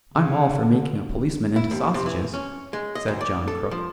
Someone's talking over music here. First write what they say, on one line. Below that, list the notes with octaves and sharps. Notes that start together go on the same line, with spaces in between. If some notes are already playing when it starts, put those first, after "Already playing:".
"I'm all for making a policeman into sausages," said John Crook.
C#3
D3
E4
D#2
C3
E3
C#4
G#3
D#5
D2
D5
A4
F3